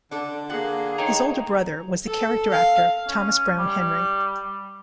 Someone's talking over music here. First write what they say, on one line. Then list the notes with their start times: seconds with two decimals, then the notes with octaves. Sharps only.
His older brother was the character actor Thomas Browne Henry.
0.11 D3 D4 A4
0.50 A#3 G#4 F#5
0.98 D#4 C#5 G5 A#5
2.06 A4
2.51 F5
3.08 C#4
3.58 G3